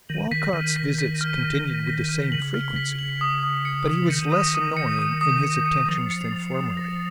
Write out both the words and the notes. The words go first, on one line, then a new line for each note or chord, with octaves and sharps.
Walcott's visits continued with the same frequency, but he was less annoying in his attentions than formerly.
D#3 F#7
D#3 B6
D#3 F6
B6
B6
F6
F6
F6
B6
F6
C#3 F#7
F6
B6
F#7
D#6
D#6
C#7
D#6
F3
D#3 C#7
D#6
D#6
C#7
D#6
D#6
C#7
C#7
F3 D#6
C#7
D#6
D#6
A#6